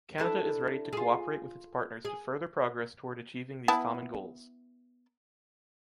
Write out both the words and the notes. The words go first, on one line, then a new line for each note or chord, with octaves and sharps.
Canada is ready to cooperate with its partners to further progress toward achieving these common goals.
D4 E4 A4
F4 G#4
G#4
B3 E4 A5